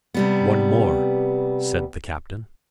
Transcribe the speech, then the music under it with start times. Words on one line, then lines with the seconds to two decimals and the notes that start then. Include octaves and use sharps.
"One more," said the captain.
0.14 C3 G3 B3